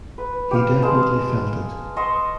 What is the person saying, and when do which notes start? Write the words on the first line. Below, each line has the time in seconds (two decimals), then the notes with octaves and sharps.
He definitely felt it.
0.18 B4
0.51 G4 F5
0.82 G#3 G#4 A5
1.97 D#5 A5 C6 C#6